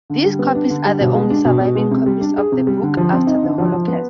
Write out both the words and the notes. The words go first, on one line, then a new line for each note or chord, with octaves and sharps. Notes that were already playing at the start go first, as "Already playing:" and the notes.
These copies are the only surviving copies of the book after the Holocaust.
D3
G3
B3
D4
D3
G3
B2
G#3
D4
B2
B2
G#3
C3
G3
D4
G#4
C3
G3
D3
F3
C4
D#4
D3
F3
F3
B3